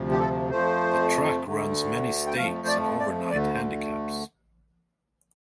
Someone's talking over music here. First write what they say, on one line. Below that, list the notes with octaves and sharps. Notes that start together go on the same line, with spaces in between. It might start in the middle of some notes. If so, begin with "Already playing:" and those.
The track runs many stakes and overnight handicaps.
Already playing: D2 C3 F3
G4
A4
F2 F3 A3 C5
D2 D3 A3
G5
F2 F3 A3 F5
C5
D5
D5
D2 D3 A3 D5
C5